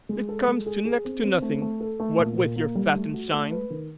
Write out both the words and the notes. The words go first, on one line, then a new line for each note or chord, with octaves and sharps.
It comes to next to nothing--what with your fat and shine.
G#3
A4
G#3
G#4
G#4
C4
C4
A3
A3
A4
A3
A#2
A#2
A#3
G3
A3
F#4
A3
B4
D#3